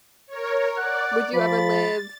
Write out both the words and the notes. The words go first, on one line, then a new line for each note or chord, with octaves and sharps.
Would you ever live
A#4 C#5
D5 F#5
F3 B5 A6